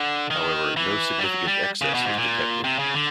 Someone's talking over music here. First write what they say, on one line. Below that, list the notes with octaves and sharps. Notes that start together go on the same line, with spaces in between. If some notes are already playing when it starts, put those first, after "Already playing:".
However, no significant excess was detected.
Already playing: D3
D#3
E3
G3
F#3
G3
C#3
B2
G#2
A#2
C3
C#3
D3